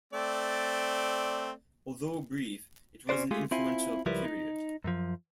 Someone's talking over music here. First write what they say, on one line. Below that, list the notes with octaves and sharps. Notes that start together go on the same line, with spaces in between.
Although brief, it was an influential period.
A3 C4 D5
C#4 F#4 B4 C5 D5
G#3 A3 F4 G4 G#4
C4 E4 F4 G#5
C#2 F3 G3 E4 A#4 B4
D#4
F#2 F3